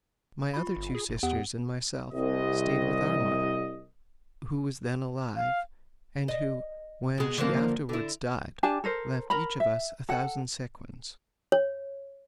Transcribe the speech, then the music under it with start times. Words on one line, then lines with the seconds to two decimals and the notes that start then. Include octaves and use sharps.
My other two sisters and myself stayed with our mother, who was then alive, and who when she afterwards died left each of us a thousand sequins.
0.54 F4 B5
0.76 G1
0.95 G#4
1.09 F1
1.23 E2 B3 G4 F#5
2.12 C2 D#5
5.36 F5
6.28 D#5
7.18 B2 G#3
7.38 D3 F3 A#3
7.89 D3 E4
8.63 D4 G4 G#5 A5
8.84 A4 A#4 C5
9.30 A#4 A#5 B5
9.60 E5
10.09 A4 F#5
11.52 C#5